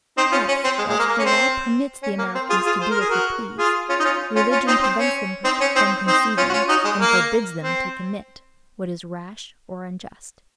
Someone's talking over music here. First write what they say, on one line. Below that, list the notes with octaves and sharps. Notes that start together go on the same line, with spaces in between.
Thus whilst the law permits the Americans to do what they please, religion prevents them from conceiving, and forbids them to commit, what is rash or unjust.
C4 D#4
C#4 F4
C#4
C4
G#3
G#3
A#3
A#3
C#4
C4
C#4
A#3
C4
F4 G#4
F4 G#4
C5
A#4
G#4
F#4 A#4
F4 G#4
C#4 F4
D#4
C#4 F4
C#4 F4
C#4 F4
C4 D#4
C4
C#4
C4 D#4
C#4
C4 D#4
C4 D#4
C#4 F4
F#4
C#4 F4
D#4 F#4
G#3
A#3
C4